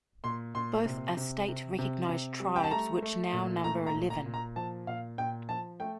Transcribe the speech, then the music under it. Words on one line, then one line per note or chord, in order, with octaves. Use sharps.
Both are state-recognized tribes, which now number eleven.
A#2 C6
A#2 C6
C3
C3
C3
C3
C3
G3
G5
A5
A3 A#5
A3
A#2
A3 A#5
A#5
A#2
A#5
A#2
A#5
F3 A5
A#2 F5
A#2 G5
F3 A5
A3 G5